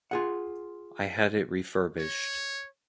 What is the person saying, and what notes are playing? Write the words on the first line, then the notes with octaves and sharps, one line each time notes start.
I had it refurbished.
F4 G#4 F#5
C#5